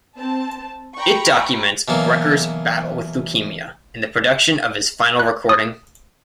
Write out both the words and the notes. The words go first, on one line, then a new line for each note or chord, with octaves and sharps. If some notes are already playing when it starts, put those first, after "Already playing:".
It documents Brecker's battle with leukemia, and the production of his final recording.
C4 A5
G5 A#5 B5 C#6
B2 E3 F#3 A#3
F#6
D#6